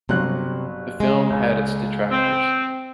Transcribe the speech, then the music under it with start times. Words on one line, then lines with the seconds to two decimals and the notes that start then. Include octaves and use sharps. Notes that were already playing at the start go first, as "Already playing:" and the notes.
The film had its detractors.
0.09 G1 C3 F#3 F#6
1.00 G#3
1.30 C#2
2.12 C4